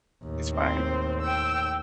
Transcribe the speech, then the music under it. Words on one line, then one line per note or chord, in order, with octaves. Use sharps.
it's fine.
D#2 A2
C4 C5
G5 E6